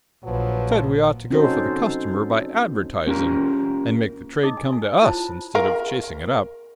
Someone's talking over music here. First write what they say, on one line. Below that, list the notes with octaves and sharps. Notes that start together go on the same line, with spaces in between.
Said we ought to go for the consumer by advertising, and make the trade come to us, instead of chasing it up.
A#1 F3 F#3 B4
C4 C#4 D#4 F#4 A4 C5
A#3 C#4 F4 G4 A#4
D#4 G#4 D#5 D6 D#6
G#5
G#5
E4 F4 C5 A5
A#4 F5